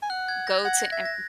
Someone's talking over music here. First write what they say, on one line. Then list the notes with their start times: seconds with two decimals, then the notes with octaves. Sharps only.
go to Em
0.03 G#5
0.10 F#5 F#6
0.28 G#6
0.47 A#6
0.65 F#5 G#6
0.79 A#6
0.92 E5 G#6
1.05 A#6